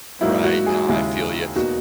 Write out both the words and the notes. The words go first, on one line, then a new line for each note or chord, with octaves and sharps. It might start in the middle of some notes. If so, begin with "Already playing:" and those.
Right, no I feel you.
G#2 F#3 A#3 D#4 E4
F#4
G#4
D#2 C#3 G#3 E4
E1 B2 A#3 D#4 F#4